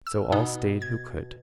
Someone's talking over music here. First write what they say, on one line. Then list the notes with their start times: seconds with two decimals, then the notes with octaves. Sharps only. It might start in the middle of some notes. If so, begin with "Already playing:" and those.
So all stayed who could.
0.07 E6
0.32 B2 D#4
0.82 G#6